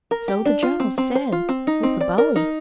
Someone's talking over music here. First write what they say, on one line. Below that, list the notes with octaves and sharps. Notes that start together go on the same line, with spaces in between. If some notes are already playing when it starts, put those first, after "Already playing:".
"So the journals said; with a bowie!"
A#4
G4
D4
F4
C4
C4
C5
F4
C4
D#4
C4
D5
A#4
D#4